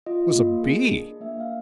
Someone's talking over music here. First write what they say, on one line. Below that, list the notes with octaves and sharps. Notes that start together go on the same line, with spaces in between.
It was a bee.
F4 D#5
A#3
G#4
D4
A#3 E5
F5